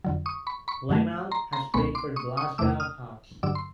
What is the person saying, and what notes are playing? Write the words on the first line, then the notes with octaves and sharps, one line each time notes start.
Lamont has played for Glasgow Hawks.
F2 D3 F#3
C#6 D#6
B5 C#6
B5 C#6
G2 D#3 F#3 A3
A#5 C6
A#5 C6
C#2 B2 G#3 B3 B5 C#6
C6 D6
C#6 D#6
C#6 D#6
E2 C3 E3 A3 D6 E6
D#6 F6
G2 D3 F#3 D6 E6
C6